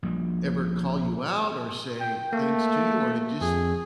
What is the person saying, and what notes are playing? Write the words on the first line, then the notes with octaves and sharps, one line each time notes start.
ever call you out or say things to you, or they just
A#1 A#2 G3
G5
A3 A#3
F2 G#4